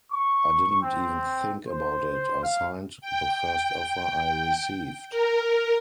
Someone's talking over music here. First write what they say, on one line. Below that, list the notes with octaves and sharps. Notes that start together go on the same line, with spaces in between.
I didn't even think about it, I signed the first offer I received.
C#6
C4
C5
F5
G5
A#4